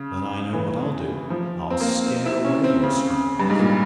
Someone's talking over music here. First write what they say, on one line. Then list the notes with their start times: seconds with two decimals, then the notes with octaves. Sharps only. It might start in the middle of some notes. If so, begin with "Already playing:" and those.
But I know what I'll do: I'll scare away your Skylarks.
Already playing: C#3
0.53 E3
1.30 F3
1.70 C4
1.80 A#3
2.06 C4
2.26 E4
2.45 C#4
2.64 C4
2.83 C#3
3.40 G2
3.50 G#2
3.59 A#2